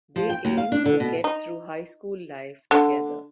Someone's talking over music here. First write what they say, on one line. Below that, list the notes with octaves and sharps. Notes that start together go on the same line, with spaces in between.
They aim to get through high school life together.
F3
G5
D#2
F5
D4
D3
B2
D#4
D3